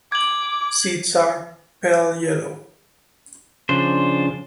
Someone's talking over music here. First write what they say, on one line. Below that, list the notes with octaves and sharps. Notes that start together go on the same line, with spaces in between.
Seeds are pale yellow.
D6 G#6 F#7
C#3 F3 D4 C5